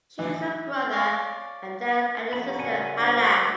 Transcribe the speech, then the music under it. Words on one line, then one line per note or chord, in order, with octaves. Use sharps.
She has a brother, Adel and a sister, Hala.
E3
C#5 D5 F5
F3 B3 C#4 B5
G4 C#5 A#5
F#2 C#3 G3 A#4 F#5 G#5
D4 F#4 C5
D2 G5